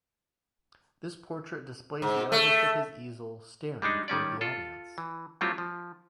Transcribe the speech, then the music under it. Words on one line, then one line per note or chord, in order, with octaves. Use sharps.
This portrait displays the artist at his easel staring toward the audience.
G#2
A3
G3 G#3 D4 D#4
D#3 G3 C#4 D5
F4 A4
E3
F#3 G3 A3 C4 E4 F4
F3